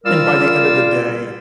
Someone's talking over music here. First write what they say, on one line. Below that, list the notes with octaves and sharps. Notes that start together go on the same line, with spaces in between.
And by the end of the day
G3 F4 A#4 D5 F5 E6